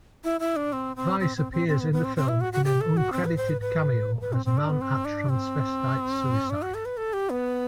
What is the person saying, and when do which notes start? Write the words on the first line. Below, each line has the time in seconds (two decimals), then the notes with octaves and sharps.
Weiss appears in the film in an uncredited cameo as man at transvestite's suicide.
0.24 E4
0.40 E4
0.56 D4
0.73 C4
0.96 C4
1.20 C4
1.37 C4
1.52 C4
1.68 C4
1.80 B3
1.93 B3
2.04 C4
2.17 C4
2.28 E4
2.41 F#4
2.53 F#4
2.64 G4
2.81 A4
2.97 F#4
3.12 C4
3.25 B4
3.37 C5
3.49 B4
3.61 B4
4.21 B4
4.33 C4
4.45 C4
4.57 D4
4.69 B3
4.81 C4
5.05 D4
5.29 C4
6.50 D4
6.62 F#4
6.74 A4
6.85 B4
6.97 A4
7.13 G4
7.30 B3